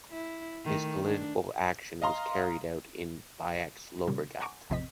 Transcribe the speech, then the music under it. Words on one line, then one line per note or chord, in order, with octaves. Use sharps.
His political action was carried out in Baix Llobregat.
E4
D#3 A3
D4
D#5 F5 A#5 C6
A#2 C#3 G3
F#5 G#5 A#5 C#6 D6
A1 F2 C3 C4 D#5 B6